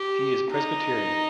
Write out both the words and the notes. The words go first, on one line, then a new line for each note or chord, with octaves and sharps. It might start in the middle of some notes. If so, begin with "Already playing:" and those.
He is Presbyterian.
Already playing: G4
D#4